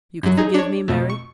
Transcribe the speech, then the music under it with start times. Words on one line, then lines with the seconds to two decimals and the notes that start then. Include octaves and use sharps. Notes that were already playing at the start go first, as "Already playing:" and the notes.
"You could forgive me, Mary?"
0.23 F#2 F#3
0.37 D#4 G#4
0.54 D4 C#5
0.88 F2 B2 A3
1.10 C#6